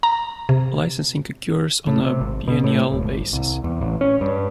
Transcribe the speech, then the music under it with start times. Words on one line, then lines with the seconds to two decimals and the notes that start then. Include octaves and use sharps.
Licensing occurs on a biennial basis.
0.03 A#5
0.49 C3
1.87 A2
2.01 C3
2.20 G#1
2.48 B2
2.64 A2
2.92 D#1
3.04 G#1
3.33 C2
3.64 E2
3.81 A1
4.01 C#4
4.21 G2